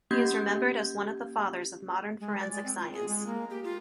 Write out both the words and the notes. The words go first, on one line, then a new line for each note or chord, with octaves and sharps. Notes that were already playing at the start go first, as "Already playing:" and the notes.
He is remembered as one of the fathers of modern forensic science.
A#3 C#4 G4 G6 G#6
G#3
D5
G#3
C4
F4
G#4
G#3
A#3
G4
F4